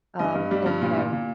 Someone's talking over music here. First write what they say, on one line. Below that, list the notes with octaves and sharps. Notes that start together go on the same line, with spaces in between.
Um, and, you know,
G2 D#5
G2
G3
G2
A#2
A#2
A#2